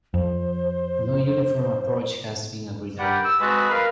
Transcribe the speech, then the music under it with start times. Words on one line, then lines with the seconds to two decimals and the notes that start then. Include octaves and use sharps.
No uniform approach has been agreed on.
0.14 F2 C5
2.99 G4 A#4 B4 D5 F#5 G5
3.25 E6
3.41 G#3 C4 F#4 A4 B4
3.69 A#4 B4 F5